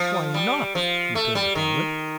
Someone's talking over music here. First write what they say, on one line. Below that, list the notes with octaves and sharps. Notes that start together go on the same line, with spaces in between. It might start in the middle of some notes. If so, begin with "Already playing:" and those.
"Why not?" returned the pilot.
Already playing: F3
G3
F3
A3
G3
D#3